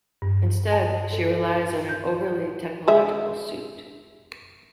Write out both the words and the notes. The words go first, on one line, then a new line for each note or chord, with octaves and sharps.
Instead, she relies on an overtly technological suit.
G2
A5
A4
G6
G#3 E5